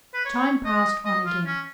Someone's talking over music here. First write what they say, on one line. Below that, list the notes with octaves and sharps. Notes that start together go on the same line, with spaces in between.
Time passed on again.
B4
C#5
D#5
D#5
F4
C#4